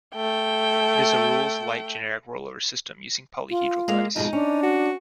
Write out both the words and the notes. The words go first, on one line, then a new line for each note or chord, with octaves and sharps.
It is a rules light generic roll-over system using polyhedral dice.
A3 G5
F4
G#3 A#3 F5
F2 B2 G#3 D#4
C#4 D4
F#4